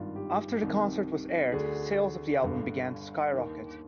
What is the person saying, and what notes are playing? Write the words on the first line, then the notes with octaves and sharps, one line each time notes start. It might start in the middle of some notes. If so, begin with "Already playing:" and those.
After the concert was aired, sales of the album began to skyrocket.
Already playing: G#1 G2 D#3 F4
G4
C2 C3 D#3
D2 D3 G#4
G1 G2 D3
D#2 D#3